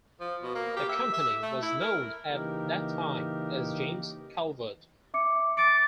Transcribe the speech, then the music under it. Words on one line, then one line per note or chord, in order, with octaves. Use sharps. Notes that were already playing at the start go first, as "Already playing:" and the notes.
The company was known at that time as James Calvert.
F3
B2
A#3
G4
E5
E5
A3
E4
A#4
C#3 E3 A#3 D#4 G4 A#4
E5 D6 C#7
D6 A6 C#7